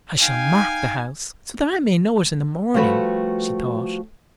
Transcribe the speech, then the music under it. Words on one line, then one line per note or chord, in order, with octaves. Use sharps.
"I shall mark the house, so that I may know it in the morning," she thought.
D#4 F5 G5 G#5
F3 G3 A3 F#4 A4 B4